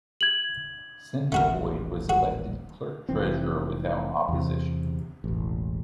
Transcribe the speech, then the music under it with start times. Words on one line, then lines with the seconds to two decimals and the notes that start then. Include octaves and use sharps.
Cindee Boyd was elected clerk-treasurer without opposition.
0.21 G#6 F#7
1.32 D#1 A1 A3 F#4 A#4
2.09 F#4
3.09 F1 E3 C4
4.29 E2 C3
5.24 E1 A1